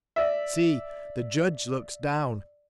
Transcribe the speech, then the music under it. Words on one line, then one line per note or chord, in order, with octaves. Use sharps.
See! the Judge looks down ...
D5 E5